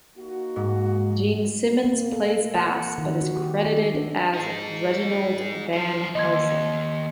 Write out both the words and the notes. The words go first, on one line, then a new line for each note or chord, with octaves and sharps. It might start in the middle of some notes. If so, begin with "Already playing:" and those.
Gene Simmons plays bass but is credited as Reginald Van Helsing.
A#3 D#4 F#4
G#2
A#3
A4
F#5
D#3
F#4
G4
A4
D4
D#4 G#4
F#3 C5
D#2 D#5 C6 G#6